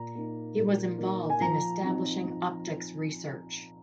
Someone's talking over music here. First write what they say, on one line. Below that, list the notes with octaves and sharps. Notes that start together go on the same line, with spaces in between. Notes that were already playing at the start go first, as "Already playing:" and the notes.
He was involved in establishing optics research.
Already playing: A#2 A#5
A#3 D#4
A#2
A#3 D#4
G#5
F3 A#5
C4 D#4
F3